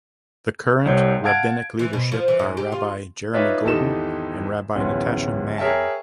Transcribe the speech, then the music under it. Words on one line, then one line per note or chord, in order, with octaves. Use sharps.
The current rabbinic leadership are Rabbi Jeremy Gordon and Rabbi Natasha Mann.
C2 C3 C#5 G6
F5 F#5 A5 G#6 D7
E3
B2
F3
E3
G#2
G4
F4
D#4 F4 B4 C#5 D5 E5
G#1 E2 D#4 G4 A4 E7
D1 A1 F3 B3 C#4 C6
G#4 A#4 C#5 E5 G5 A5